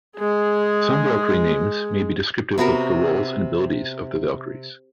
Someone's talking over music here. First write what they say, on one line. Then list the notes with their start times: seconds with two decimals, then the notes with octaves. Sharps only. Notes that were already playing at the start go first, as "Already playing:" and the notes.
Some valkyrie names may be descriptive of the roles and abilities of the valkyries.
0.17 G#3 G#4
2.58 C3 B3 F#4 A#4